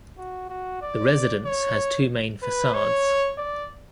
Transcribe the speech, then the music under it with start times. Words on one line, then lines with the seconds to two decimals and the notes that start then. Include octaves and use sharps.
The residence has two main facades.
0.18 F#4
0.49 F#4
0.82 D5
1.46 C#5
2.42 B4
2.74 C#5
3.38 D5